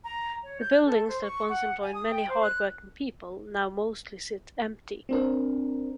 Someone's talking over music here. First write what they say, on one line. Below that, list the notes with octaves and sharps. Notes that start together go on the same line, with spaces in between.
The buildings that once employed many hard-working people now mostly sit empty.
A#5
C#5
G6
A4
C5
C#6
F#5
G#5
D#6
G5
C5
F#6
C4 D4 A#4